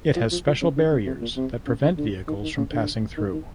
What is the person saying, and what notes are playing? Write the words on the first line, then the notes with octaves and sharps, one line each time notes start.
It has special barriers that prevent vehicles from passing through.
F3
F3
F3
C#3
D3
C#3
C3
A#2
C3
C#3
D3
D3
D#3
D#3
C#3
D3
D#3
D#3